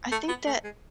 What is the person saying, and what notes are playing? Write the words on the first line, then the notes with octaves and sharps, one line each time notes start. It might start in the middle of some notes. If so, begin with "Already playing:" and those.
I think that
A3
B3
A3
G#3